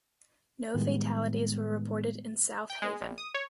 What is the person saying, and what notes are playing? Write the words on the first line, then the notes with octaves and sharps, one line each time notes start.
No fatalities were reported in Southaven.
A2 D#3 G3 G#3 B3
G5
G#3
A#1
D#6
C#5